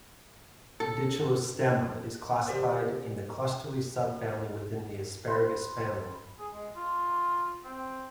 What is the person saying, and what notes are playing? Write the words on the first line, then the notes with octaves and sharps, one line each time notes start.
"Dichelostemma" is classified in the cluster-lily subfamily within the asparagus family.
A4
G4 C5 D5
B4 C5
G#4
G#3
F4
C4